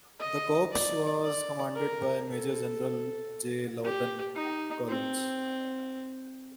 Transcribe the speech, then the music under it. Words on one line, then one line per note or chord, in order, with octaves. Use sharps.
The Corps was commanded by Major General J. Lawton Collins.
D#5
D5
D5
A#4
A4
G4
D#4
C4